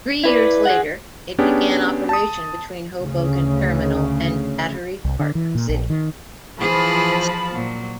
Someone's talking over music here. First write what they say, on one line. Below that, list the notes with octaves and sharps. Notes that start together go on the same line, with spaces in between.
Three years later, it began operation between Hoboken Terminal and Battery Park City.
E4 B4 D5
G#4 F#5
B3 C#4 D4 G4 G#4
A5 D#6
D2 C#3
C2
D3
E3
A#2
A#1
D#3
E3 F3 G#4 A5 B5
A#2 F#3